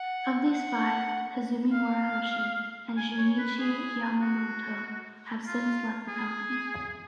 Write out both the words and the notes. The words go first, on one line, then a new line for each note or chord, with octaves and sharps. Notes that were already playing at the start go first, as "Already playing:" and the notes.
Of these five, Kazumi Morohoshi and Junichi Yamamoto have since left the company.
Already playing: F#5
F#5
F5
G#5
C#5
B4
G#4
F#4
F4
G#4